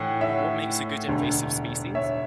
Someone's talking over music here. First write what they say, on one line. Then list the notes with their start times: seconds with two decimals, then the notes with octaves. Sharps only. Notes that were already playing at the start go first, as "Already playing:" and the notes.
What makes a good invasive species?
Already playing: A2 E3 F#5 G5
0.21 C#5 E5
1.08 E1 D2 D3
1.95 C#5 E5